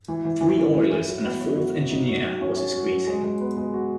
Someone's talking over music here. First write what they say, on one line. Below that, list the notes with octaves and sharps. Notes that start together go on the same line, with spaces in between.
Three oilers and a fourth engineer, was his greeting.
E3
E3
E3
E3
E3
E3
F#3
B3
F#3
F#4
F#3
D#4
F#4
F#3
C#4
C#4
F#4
F#3
G#3
G#3
B3
G#3
F#4